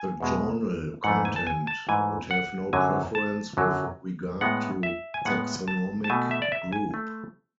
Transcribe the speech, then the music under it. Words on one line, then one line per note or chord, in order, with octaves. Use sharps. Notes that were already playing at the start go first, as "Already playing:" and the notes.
The journal content would have no preference with regard to taxonomic group.
Already playing: G#5
E2 B2 G#3
G#2 E3 A3 F#5
G#5
A5
G#5
A5
G#2 E3 A3 G#5
F#5
F#2 D3 F#3 G#5
A5
F#2 D3 F#3
A2 G#3 B3 F#5
E5
G#5
A2 G#3 B3 F#5
A5
A5
B2 A3 G#5
E5
D5
E5
G#5
A3